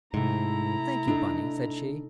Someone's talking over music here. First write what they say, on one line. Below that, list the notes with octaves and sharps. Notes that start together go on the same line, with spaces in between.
"Thank you, Bunny," said she.
G#2 C3 A3 E4 A#5
D4 D#4 A4